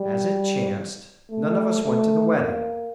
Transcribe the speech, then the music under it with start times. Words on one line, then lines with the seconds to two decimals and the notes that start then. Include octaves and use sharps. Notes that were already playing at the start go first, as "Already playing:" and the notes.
As it chanced, none of us went to the wedding.
Already playing: G3
1.30 A3
1.83 A3
2.37 A#3